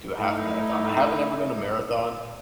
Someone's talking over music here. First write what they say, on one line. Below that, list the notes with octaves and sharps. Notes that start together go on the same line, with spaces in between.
do a half marathon," I haven't ever done a marathon,
A3 D#4 E4